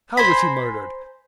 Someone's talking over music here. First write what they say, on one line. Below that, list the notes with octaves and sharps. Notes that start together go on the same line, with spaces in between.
How was he murdered?
C5 G#5 A#5 B5